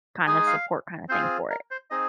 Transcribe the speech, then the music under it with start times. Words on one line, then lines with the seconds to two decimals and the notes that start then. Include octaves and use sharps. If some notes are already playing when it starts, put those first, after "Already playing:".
kinda support kinda thing for it.
0.26 G#3 D#4 G#4 G#5
0.47 F5
1.09 C4 F4 G#4 C5
1.50 A#4
1.71 C5
1.90 C4 D#4 G#4 D#5